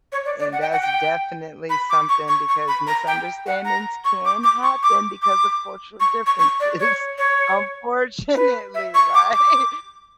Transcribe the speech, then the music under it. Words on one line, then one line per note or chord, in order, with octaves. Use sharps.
and that's definitely something because misunderstandings can happen because of cultural differences, unfortunately, right?
C#5
D5
D5
F#5
G5
F#5
G5
B5
D6
C#6
C#6
C#6
B5
A#5
G5
F#5
A#5
C#6
D6
D6
C#6
D6
D6
C#6
C#6
C#6
D5
C#5
C#5
B4
E5
C#6
D6
D6